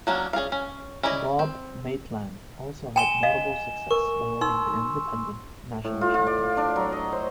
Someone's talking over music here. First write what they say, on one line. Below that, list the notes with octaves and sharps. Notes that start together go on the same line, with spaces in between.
Bob Maitland also had notable success by winning the Independent National Championship.
F#3 A#3 C#4 D4
C#4 G#4 D5 F5
C#4
C#4 E4 G#4 D5 D#5
C4
G5 G#5 C6 E7 G7
D#5 F5
A#4 C#6
D#4 C6 E6
A2
F4
F4
D5
D4
F#3
D#5
C5